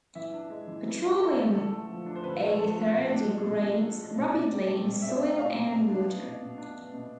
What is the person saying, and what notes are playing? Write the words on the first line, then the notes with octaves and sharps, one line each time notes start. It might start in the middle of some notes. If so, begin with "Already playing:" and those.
Petroleum ether degrades rapidly in soil and water.
E3 E5
D4
G#3
E3
E3
D4
G#3 A4
E3
D3 A4
A3
F3
D4
C5
D3 B4
A3
F3 A4
D4
B2
D4
G#3
B2
B2
D4
G#3
B2
B2 D5
C4
A3
B2
B2 E5
C4
A3 F5
B2
B2
D4
B3
B2
B2
D4
B3
B2